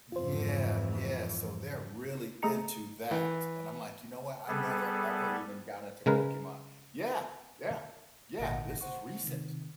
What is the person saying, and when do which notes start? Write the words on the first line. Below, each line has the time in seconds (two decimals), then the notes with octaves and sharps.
Yeah, yeah, so they're really into that, and I'm like, you know what, I never ever even got into Pokemon. Yeah, yeah, yeah, this is recent,
0.12 F2 G#2 E3 F4 C5
2.43 A3 G#4 A4 D#5 A#5 C#7
3.11 E3
4.47 G3 B3 G#4 A4
6.06 C#3 G#3 A#4 B4
8.39 G#1 A#2 D3 D#5 F#5 A#6
8.81 C5 F#5 C#6
9.24 C3 D#3